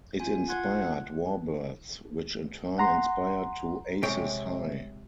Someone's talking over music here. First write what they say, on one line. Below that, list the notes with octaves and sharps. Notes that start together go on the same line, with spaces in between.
It inspired "WarBirds", which in turn inspired to "Aces High".
F4 G#5
F4 F#5 C6 G#6
F#5 A#5 C6
C3 G#3 C#5 G5